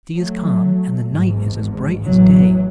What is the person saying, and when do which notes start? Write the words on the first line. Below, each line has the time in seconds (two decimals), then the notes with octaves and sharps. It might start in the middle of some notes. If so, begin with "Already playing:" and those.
The sea is calm and the night is as bright as day.
0.16 F#3 A3
1.10 G#1 E2 G#2
2.07 A1 E2 E3 F#3